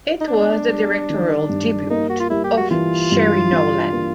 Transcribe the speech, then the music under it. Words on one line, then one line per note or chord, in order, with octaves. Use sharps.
It was the directorial debut of Cherie Nowlan.
D#4
B3 D4
G3
D#3
G2
A#3 D#4
F#4
F4
G3 E4
G4
F#4
E3 F4
G2
D4
A#3